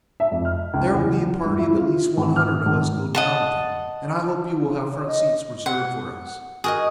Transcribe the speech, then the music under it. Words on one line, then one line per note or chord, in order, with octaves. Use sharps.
There will be a party of at least one hundred of us go down with him, and I hope you will have front seats reserved for us.
E5
F2
F6
C#2
E2
G2
E4
F4
G#1
F6
G#1
D#5 F#5 A5
G#4
C#5
D#5
F#5
F#4 G#4 A#4 D#5